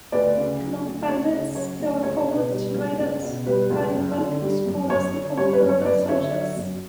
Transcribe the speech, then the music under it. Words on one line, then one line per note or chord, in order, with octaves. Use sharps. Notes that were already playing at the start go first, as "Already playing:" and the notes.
Among the bandits, there were former degenerated Garibaldi supporters and former Bourbon soldiers.
D2 B4 D5
C#3
F#3
D2
D2 C#5
C#3
F#3 C#5
D2
C#2 C#5
C#5
B2
B4
G3
C#2
C#2
B2
G3 B4
C#2
F#2
D3
G3
F#2
F#2 C#5
D3
G3 C#5
B4
F#2
C#5
F#2 B4 D5
D3 C#5 E5
F#3
F#2